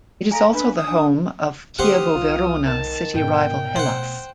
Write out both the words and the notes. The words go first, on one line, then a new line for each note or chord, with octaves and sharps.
It is also the home of Chievo Verona city rival Hellas.
A4 F5 G#5 A#5
D4 B4
D#6
D4
D3 A3 G4 C5 F#5 D#6 F6
C2 F4
D#3 A5
G#2 B2 G5
B2 A3 C5 F#5